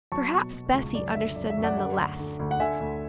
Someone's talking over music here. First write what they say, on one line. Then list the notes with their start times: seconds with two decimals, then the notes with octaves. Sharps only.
Perhaps Bessy understood none the less.
0.12 F#3 A5 C#6
0.33 B2
0.53 B2
0.74 C#2
0.94 F#2 D5
1.15 D3 E5
1.36 F#2 D5
1.50 E5
1.57 F#2
1.64 D5 F#5
1.77 D3 D5 F#5
1.98 D2
2.19 D3
2.39 D2
2.51 F#5
2.60 D3 E5 G#5
2.80 D2